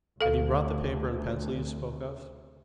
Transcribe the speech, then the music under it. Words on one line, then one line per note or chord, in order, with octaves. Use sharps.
Have you brought the paper and pencil you spoke of?
D2 A4 F5